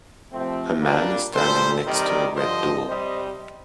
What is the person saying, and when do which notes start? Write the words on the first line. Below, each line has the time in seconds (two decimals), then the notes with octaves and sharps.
A man is standing next to a red door.
0.31 C3 F3 A3 C4
0.82 A#2 G3 A#3 D4
1.34 A#2 G3 A4 C5
1.86 C3 D#3 G3 A#4 D5
2.37 G2 D3 F3 C5 D#5
2.88 C3 G3 C5 D#5